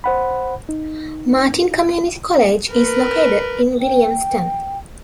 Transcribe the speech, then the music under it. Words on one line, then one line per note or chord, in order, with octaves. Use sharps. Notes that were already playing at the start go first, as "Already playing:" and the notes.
Martin Community College is located in Williamston.
C5 F#5 B5
D#4
A#4 B4
G5